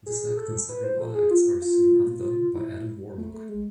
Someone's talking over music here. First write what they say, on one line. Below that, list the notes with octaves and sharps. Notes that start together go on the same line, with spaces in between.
This act and several other acts are soon undone by Adam Warlock.
G#4
A4
B4
C5
A4
G#4
F4
F4
E4
A3
A3
G#3